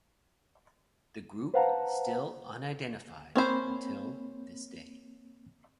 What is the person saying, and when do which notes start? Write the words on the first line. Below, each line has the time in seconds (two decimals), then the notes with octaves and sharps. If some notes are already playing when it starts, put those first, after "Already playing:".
The group still unidentified until this day.
1.54 B4 C5 F5 F#5 A5 A#5
3.36 A#3 C4 C#4 C5 B5